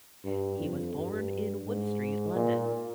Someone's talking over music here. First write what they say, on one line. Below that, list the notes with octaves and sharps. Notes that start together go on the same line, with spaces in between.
He was born in Wood Street, London.
G2
F2
G2
G#2
A#2